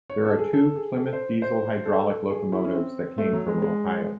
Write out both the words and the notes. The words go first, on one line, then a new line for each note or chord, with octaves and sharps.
There are two Plymouth diesel-hydraulic locomotives that came from Ohio.
C#5
A4
G#4
A4
G#4
A4
C5
C5
A4
G#4
E4
C#4
C4
A3
F#3
G#3
G#3